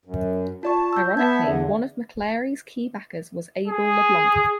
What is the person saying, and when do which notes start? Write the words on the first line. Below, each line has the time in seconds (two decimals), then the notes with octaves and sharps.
Ironically, one of McAlary's key backers was Abel LeBlanc.
0.05 F#2
0.63 F4 D5 A5 C#6
0.93 E6 G6
1.17 B3 E5 A5 G#6
1.44 E2 D3 D5 E5
3.68 G#4